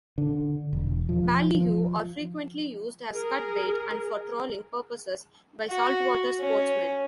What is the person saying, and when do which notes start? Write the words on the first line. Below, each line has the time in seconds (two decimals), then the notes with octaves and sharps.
Ballyhoo are frequently used as cut bait and for trolling purposes by saltwater sportsmen.
0.18 D3
0.73 E1
1.09 F3
1.55 F3
3.12 G#4 A#4
5.70 F#4
6.40 C#4